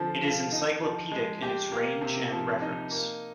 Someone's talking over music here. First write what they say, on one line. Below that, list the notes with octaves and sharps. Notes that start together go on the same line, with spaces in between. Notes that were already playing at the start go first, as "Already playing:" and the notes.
It is encyclopedic in its range and reference.
Already playing: D3 F3 C4
F4
D#4
F3
G#3
G4
A#3
C3
F3
D#4
A#3